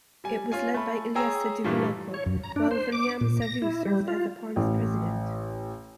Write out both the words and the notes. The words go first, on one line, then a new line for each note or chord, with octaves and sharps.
It was led by Iliesa Duvuloco, while Viliame Savu served as the party's President.
G3 G#5
C#4 F4 G#5
A3 B5
G#4 C#5 G5 G#5 A#5 E6
G2 A#2 E3 G3 A3
C#5
F#2
A#5
D4
C5
D6
A#2
A#6
E4
G3
F4
A1